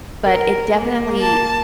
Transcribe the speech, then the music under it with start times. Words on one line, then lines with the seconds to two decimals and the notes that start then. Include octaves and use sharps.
but it definitely,
0.24 A#4
0.78 A#3
1.21 A5